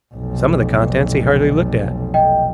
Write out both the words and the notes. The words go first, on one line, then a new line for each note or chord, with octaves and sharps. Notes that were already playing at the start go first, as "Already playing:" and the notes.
Some of the contents he hardly looked at.
F1 B1
D#5 G5